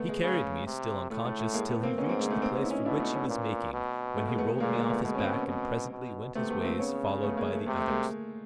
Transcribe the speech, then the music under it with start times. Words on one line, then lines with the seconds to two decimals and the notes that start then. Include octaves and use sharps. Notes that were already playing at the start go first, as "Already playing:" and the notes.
He carried me still unconscious till he reached the place for which he was making, when he rolled me off his back and presently went his ways followed by the others.
Already playing: A3 B3
0.09 G#3
0.23 C#3
0.67 C3
1.10 A2 A3
1.25 A3
1.39 A3
1.54 G#3 A#3
1.69 A3 B3
1.83 A#3 C4
1.98 G#2 B3 C#4
2.09 A#3 C4
2.20 G#3 A#3
2.30 A3 B3
2.42 A#3 C4
2.56 B3 C#4
2.64 E4
2.71 C#4 D#4
2.85 B2 D4 E4
3.00 A3 B3
3.15 B3 C#4
3.29 A#2
3.73 B2
4.16 A3 B3
4.27 G#3 A#3
4.38 A3 B3
4.60 A#2 G#3 A#3
4.75 G#3 A#3
4.89 A3 B3
5.04 B2 G#3 A#3
5.15 C#4
5.18 A#3 C4
5.33 B3 C#4
5.47 B2
5.92 B2
6.35 C3 A3 B3
6.50 A3 B3
6.64 A#3 C4
6.79 C#3 B3 C#4
7.23 A3 B3
7.37 G#3 A#3
7.52 A3
7.66 C3 A3
7.77 A3
7.88 G#3 A#3